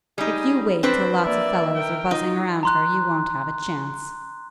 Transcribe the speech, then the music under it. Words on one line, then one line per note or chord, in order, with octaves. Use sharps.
If you wait till lots of fellows are buzzing around her you won't have a chance.
G3 D#4 G#4
C4 D4 B4 C5
A#3 D5 E5
A#4 G5
D#4 F4
A#5 C6 F#6